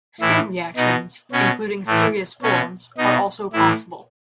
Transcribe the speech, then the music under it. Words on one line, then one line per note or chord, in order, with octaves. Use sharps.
Skin reactions, including serious forms, are also possible.
A2 E3 E4
B2 D#4
B2 C#4
A2 E3 A3
B2 C#4
B2 D#4
A2 E3 E4